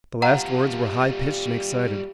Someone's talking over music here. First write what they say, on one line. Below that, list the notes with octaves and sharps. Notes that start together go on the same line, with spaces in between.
The last words were high-pitched and excited.
G3 F4 F#5 A#5